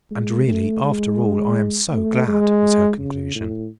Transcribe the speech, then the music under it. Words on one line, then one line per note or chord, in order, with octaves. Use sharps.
'And really, after all, I am so glad!' was her conclusion.
G#3
A3
G#3
A3
G#3
C#3
A2